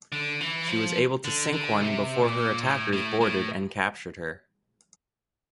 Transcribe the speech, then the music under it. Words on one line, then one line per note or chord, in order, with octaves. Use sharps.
She was able to sink one before her attackers boarded and captured her.
D3
E3
F3
D3
D3
C3
A#2
A2
A2
A2